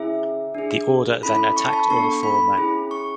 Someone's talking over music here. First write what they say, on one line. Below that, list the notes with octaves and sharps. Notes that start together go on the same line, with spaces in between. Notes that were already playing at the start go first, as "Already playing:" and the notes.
The Order then attacked all four men.
Already playing: C#4 E4 G#4 E5
D4 G#4
C#4 E4 A4 B5
C#6
A5
B5
B3 D4 A4 C#6
B5
C#4 E4 G#4
C#6